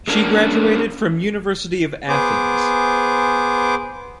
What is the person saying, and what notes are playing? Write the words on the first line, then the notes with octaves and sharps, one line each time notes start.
She graduated from University of Athens.
G#3 A#3 C#4 D4 G#4 A#4
B3 G#4 C5 D6